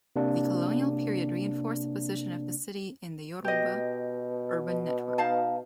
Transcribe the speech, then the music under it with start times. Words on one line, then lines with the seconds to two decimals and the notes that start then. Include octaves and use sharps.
The colonial period reinforced the position of the city in the Yoruba urban network.
0.16 C3 A#3 D4
3.44 B2 G4 D#5
5.18 D#4 F5 A5